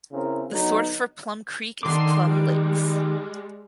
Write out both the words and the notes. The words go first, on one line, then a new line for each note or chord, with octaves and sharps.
The source for Plum Creek is Plum Lakes.
C#3 C4 E4 A#4
D3 F#3 B3 D#4
D3 D#3 C6 D6
G3 G#3